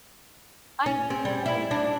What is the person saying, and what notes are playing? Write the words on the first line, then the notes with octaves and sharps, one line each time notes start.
I know.
C#4
C4
G3
E4
D4